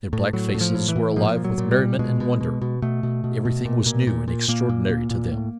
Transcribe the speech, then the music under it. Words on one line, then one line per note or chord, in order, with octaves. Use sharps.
Their black faces were alive with merriment and wonder--everything was new and extraordinary to them.
A2
A2 F#3
A2
F3
A2
E3
A2
A#2 F3
A#2
F#3
A#2
G3
A#2
B2 G#3
B2
B2
B2
B2 A3
B2
B2
B2
A#2
A#2
A#2
A#2
A#2 A#3
A#2
A#2
A#2
A2